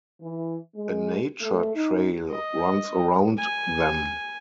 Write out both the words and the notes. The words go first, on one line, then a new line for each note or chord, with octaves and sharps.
A nature trail runs around them.
E3
G#3
A3
D#4
D#5
G#5